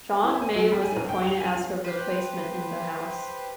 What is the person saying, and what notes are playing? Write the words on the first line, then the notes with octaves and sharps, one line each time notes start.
John May was appointed as her replacement in the House.
E4
G#5
F#3
G3
G#5
B1
G5
F7
G#5
F4
G4 B4 C5